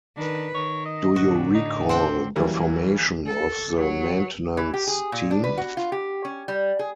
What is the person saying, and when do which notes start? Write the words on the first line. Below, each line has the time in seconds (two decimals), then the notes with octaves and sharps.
Do you recall the formation of the maintenance team?
0.17 D#3 D4 B4
0.54 D#3 C#5
0.85 D#5
1.16 A2 D3 F#4
1.54 D#4
1.89 C4 D4 F#5 G5
2.36 E3 F#3 G3 A#3 C#4
3.26 A4
3.77 F#3
4.57 E3
4.74 G4
4.87 G#4
5.12 A#2
5.31 D4
5.44 B4
5.57 F#4
5.77 F4
5.92 G4
6.25 C#4
6.48 G3
6.79 G#4